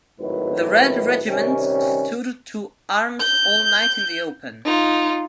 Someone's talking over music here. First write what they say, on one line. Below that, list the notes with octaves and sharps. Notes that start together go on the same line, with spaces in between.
The Red Regiment stood to arms all night in the open.
G#1 A2 D#3 F#3 B4
C3 D#3 G3 C#4
G6
D#4 F4